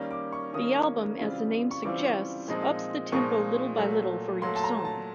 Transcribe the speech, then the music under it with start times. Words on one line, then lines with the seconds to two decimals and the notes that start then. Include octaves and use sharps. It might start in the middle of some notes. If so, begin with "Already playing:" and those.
The album, as the name suggests, ups the tempo little-by-little for each song.
Already playing: D#3 G3 A#3 C#4
0.11 D6
0.32 C#6
0.53 D#3 G3 A#3 C#4 D#6
1.18 C#3 E3 G3 C4 F4
1.71 C#6
1.83 C#3 E3 G3 C4 F4 D6
2.48 A#2 F3 G#3 C4 D#4
3.12 A#2 F3 G#3 C4 D#4 C#6
3.77 A#2 F#3 A3
4.42 A#2 F#3 A3 C6
4.56 A5
4.64 A#5
4.85 A5